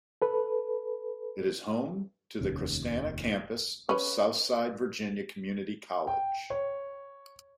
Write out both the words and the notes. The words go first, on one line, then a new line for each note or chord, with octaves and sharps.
It is home to the Christanna Campus of Southside Virginia Community College.
A4 B4
F1 D#2 C#4
C#4 B4
G5
C#5